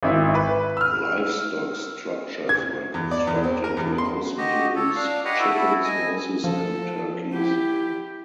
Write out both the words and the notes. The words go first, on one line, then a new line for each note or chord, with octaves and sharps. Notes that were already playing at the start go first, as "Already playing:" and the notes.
Livestock structures were constructed to house mules, chickens, horses, and turkeys.
G#1 E4 E5
B4
E6 F6
G#6
E2
D5
E2
C4
A#4
E2
C6
F#4 G4 D#5
A4 C#5
D4 F5
G4 B4 C#5 D#5 F5 F#5
E4 F#4 A4
D#5 G#5
F3 A4
E4 G4